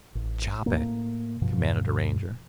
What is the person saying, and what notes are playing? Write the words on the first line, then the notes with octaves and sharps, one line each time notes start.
"Chop it!" commanded a Ranger.
A1
A2 A#3
G2 B2 F3